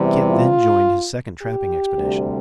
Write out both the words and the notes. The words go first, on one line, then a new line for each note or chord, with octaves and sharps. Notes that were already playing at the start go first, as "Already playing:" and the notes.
Kit then joined his second trapping expedition.
Already playing: E2 C3 E3 G3
F4
G4
D2 C3 G3